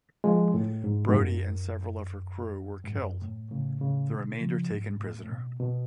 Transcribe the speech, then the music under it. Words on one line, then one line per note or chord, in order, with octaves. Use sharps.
Brodie and several of her crew were killed; the remainder taken prisoner.
F3 G#3
A2
G#2
G#2
F#2
G#2
F#2
A2
A2 C#3
A2 C#3
B2 D3
C#3 F3
G#2
A2
A2
B2
B2